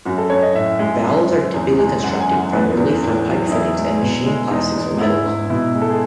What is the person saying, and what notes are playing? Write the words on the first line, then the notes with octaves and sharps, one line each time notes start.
Valves are typically constructed primarily from pipe fittings and machined plastics or metals.
F#2 F#4
A4
F#2 C#5
D#5
A2 E5
G#3
F#2
F#2
E2
G#3
F#2 F#5
G#5
F#2
F#5
E2 B4
E2
A2
F#3
D#4
E2 E4
G#3
B2
G#3
E2 D#4
E2
G#2 E4
G#2
B2 E4
G#3
A4
G#4